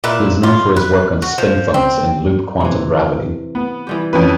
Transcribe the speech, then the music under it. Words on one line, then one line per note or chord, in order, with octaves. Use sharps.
He is known for his work on spin foams in loop quantum gravity.
A#2 E4 B4
F4
B4
F#4
F3
C4
C3 E3
B3
E3 G3 G4
F2 C#4 B4